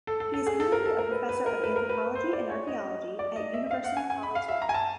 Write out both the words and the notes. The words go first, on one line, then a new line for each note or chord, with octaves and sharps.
He is currently a Professor of Anthropology and Archaeology at University College London.
A4
A4
A4
G#4
A4
A#4
A4
A#4
B4
B4
A#4
B4
A#4
B4
C5
D5
C#5
D#5
D5
D#5
E5
E5
F5
F#5
G#5
G#5
B5
F5
E5
A#5
G#5
A5